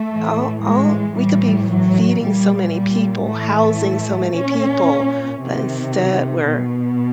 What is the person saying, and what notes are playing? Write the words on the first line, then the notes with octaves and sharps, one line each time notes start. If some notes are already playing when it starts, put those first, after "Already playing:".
all all we could be f feeding so many people, housing so many people, but instead we're
Already playing: A3
A2 E3
G#3
A2 E3 G3
F#3
A#2 G3
G3
A2 E3 A3
A#2 C#4
C3 D#3
B2